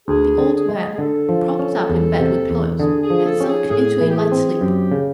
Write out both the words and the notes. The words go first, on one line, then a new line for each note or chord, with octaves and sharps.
The old man, propped up in bed with pillows, had sunk into a light sleep.
D2 G#4
D3
G#4
G#3
G#4
D3 A4
F3
C#4
E2
C3
E2
D3 G#4
G#4
F3
A4
C#4 G4
G#4
A2 G#4
E3
G4
G#4
C4
F#2 G4
C#3